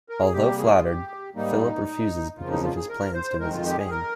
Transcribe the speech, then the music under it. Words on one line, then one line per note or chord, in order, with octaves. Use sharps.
Although flattered, Philip refuses because of his plans to visit Spain.
A#4
G#4
C3 G3 A#3 G4
G#4
F4
G4
G#2 G3 A#3 D#4
F2 C#3 F3 A#3 F4
D#4
F4
G#4
A#4
C5
F2 D#3 G#3 A#4
F4
G4
G#4
A#4